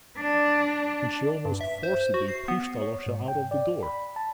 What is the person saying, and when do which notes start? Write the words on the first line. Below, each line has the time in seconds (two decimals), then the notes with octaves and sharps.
And she almost forcibly pushed Alyosha out of the door.
0.19 D4
1.45 G2
1.61 E5
1.83 C5
2.01 C5
2.14 F#4
2.28 C7
2.48 B3
2.81 C#5
3.07 G#2
3.28 G5
3.51 D5
3.83 B5
4.16 A5